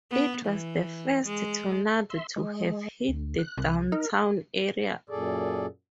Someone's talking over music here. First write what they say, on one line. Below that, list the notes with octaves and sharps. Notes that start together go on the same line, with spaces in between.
It was the first tornado to have hit the downtown area.
B3
E3
G#3
E5 C6
G#3
D2
F#6
C2
D#4 A#4
F#2 A#2 G#4 A4 D5